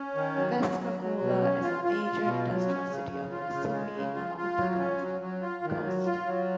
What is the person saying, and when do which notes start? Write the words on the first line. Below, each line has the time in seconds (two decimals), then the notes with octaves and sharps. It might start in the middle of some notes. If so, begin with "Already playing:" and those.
Pascagoula is a major industrial city of Mississippi, along the Gulf Coast.
Already playing: C#4
0.15 D#3
0.36 F#3
0.57 F#3
0.79 F#3
1.00 F#3
1.21 B2
1.42 C#4
1.63 F4
1.84 F4
2.05 F4
2.26 B2
2.47 F#3
2.68 C#4
2.89 C#3
3.10 C#3
3.32 F4
3.52 C#3
3.73 G#3
3.95 C#3
4.15 F4
4.37 F4
4.57 F#3
4.79 C#4
5.01 F#3
5.21 F#3
5.42 F4
5.64 D#3
5.84 F#3
6.05 F4
6.26 F#3